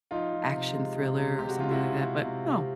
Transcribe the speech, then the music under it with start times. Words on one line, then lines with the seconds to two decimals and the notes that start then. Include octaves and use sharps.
action thriller or something like that. But, oh.
0.11 F3 D#4 F4
0.33 F3
0.54 C3
0.75 G#3
0.96 C3
1.17 C3
1.38 G#3 G4
1.49 F#4
1.60 G#3 F4
1.71 E4 F#4
1.81 C3
2.03 C3
2.23 C3
2.45 C3